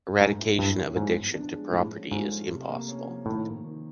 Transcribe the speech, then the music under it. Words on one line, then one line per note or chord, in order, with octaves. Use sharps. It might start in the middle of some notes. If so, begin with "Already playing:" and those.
Eradication of addiction to property is impossible.
G#2 A3
E4
G2 G4
C#4
G#2 F3
B3
D4
G#3
A2 F3
C#4
G#2 F4
A3
C3
A#3
C#4
F3
A2 D#3
A#3
D#3